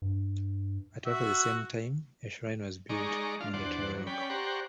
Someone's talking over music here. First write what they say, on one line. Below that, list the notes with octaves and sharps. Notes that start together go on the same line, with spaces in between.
At roughly the same time, a shrine was built on the Tyr Rock.
G2
F#4 E5
G#3 D#4 D5 A#5 C#6
D4 F4 F5
E2 D4 C5 D5 F#5
F#3
C#4 D5 G5 B5
G4 C5 D5 F#5 A#5 C#6